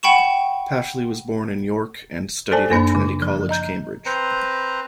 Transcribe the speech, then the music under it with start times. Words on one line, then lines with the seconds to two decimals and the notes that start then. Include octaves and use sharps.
Pashley was born in York and studied at Trinity College, Cambridge.
0.03 F#5 G5 B5 C#6 E7
2.52 A4 C5 D5 G#5 A5
2.70 F#2 A#3 D4 B5
2.95 C#3
3.22 F3
3.49 D#5 A#5 G6
4.06 C4 B4 C5 A#5